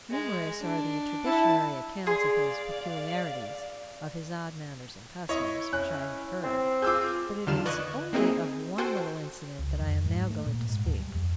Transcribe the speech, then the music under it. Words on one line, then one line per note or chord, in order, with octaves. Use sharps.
Numerous are the traditionary accounts of his peculiarities,--of his odd manners and customs,--which I have heard; but it is only of one little incident that I am now going to speak.
G#3
D4
E4 F#5 A5
G#4 D5 F5 C6
E4 C#5 D#5 C#6
C#4 F#6
C4
F4 G#4 D6 E6 G6
E2 D3 D#3 F4 F6 E7
B4 D5 D#5 C#6 F#6 G#6
A#3 C4 D#4 E4 G#4
F#4 A4 C5 G5 G#5
C#2
F2
G#2
A3
A#2
G#2
D#2
G3
F2